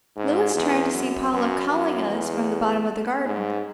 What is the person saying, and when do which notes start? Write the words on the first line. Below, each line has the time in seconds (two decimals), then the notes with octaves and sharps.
Louis turned to see Paula calling us from the bottom of the garden.
0.16 G#2
0.55 E2
0.93 F#2
1.32 F#2
1.70 F#2
2.08 E2
3.25 G#2